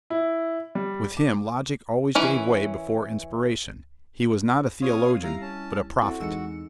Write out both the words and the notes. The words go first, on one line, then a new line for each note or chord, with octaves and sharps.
With him logic always gave way before inspiration: he was not a theologian, but a prophet.
E4
G3
D6
E3 C#4 A#4
C4 F4 C#5 F5 D#6 D#7
G3 E4 F5 A#5
C#4 A5
C4 E4 F#4 A4
E2 G#3 D#4 E6 C#7